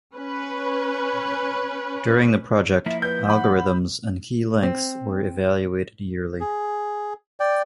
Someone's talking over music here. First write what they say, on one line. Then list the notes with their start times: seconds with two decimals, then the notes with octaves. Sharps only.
During the project, algorithms and key lengths were evaluated yearly.
0.16 C#4 B4
2.86 F3 A#3 E4 E5
3.02 B4 G6
3.30 F#5 B5
4.63 C4
6.40 G#4
7.40 D5 G5